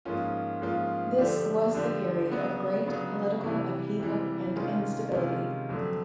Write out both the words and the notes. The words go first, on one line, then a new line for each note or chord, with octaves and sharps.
This was the period of great political upheaval and instability.
G#2 F3 A#3 C#4 F4
G#2 F3 A#3 C#4 F4
D3 F3 A3 D4 G4
D3 F3 A3 D4 G4
C#3 F#3 B3 D4
C#3 F#3 B3 D4
C3 E3 G3
C3 E3 G3
C3 D#3 G#3 C#4 F4
C3 D#3 G#3 C#4 F4
F2 D3 F#3 A3